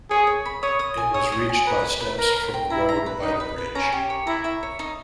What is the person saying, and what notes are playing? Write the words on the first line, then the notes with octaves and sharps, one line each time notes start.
It was reached by steps from the road by the bridge.
G#4 C#5
C#5
B5
C#5 D#6
D#6
G#5
C#5 D#6
D#6
G#5
B4 A#5
B4
B4
A#4 A#5
A#5
G5
E4 A#5
A#5
B4
D#4 B4
B4
B4
C#4 A#5
G4
C#5
E4 A#5
E5
C#5
D#4